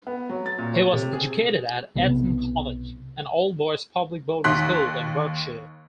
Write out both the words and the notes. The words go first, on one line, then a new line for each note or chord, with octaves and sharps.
He was educated at Eton College, an all-boys public boarding school in Berkshire.
B3
F#3
A6
A#2
C#5
C3
G#4
B1 C3 B3
D#2 C6 F#6 B6